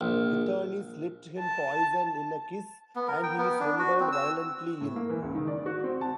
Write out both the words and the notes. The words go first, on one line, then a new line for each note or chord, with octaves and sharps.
Githany slipped him poison in a kiss, and he is rendered violently ill.
A#1
A5
B3
A#4
G5
B3
D4
F#4
C4
E6
A2
A#3
E3
C#2
D#3
D5
F#4
C4
A5